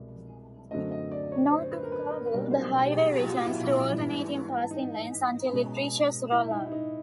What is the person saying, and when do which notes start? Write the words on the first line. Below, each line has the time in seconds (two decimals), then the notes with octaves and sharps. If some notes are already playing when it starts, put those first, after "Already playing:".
North of Cabool, the highway returns to alternating passing lanes until it reaches Rolla.
Already playing: C2 B2 G#3
0.71 F#2 D3 F#3 A3 C4 D#5
0.91 D#5
1.12 D5
1.32 C#5
1.51 C5
1.63 C5
1.71 B4
1.83 A#4
1.92 B4
2.11 A#4
2.27 B4
2.32 B2 G3 A#3 D4 A#4
2.51 C5
2.85 G4
2.91 G#4
3.12 G4
3.24 F4
3.31 F#4
3.46 E4
3.51 F4
3.71 E4
3.91 G#2 E3 G3 B3 D4
4.71 D#4
5.51 B2 G#3 C#4
6.32 E4
6.51 D#4
6.66 E4
6.72 D#4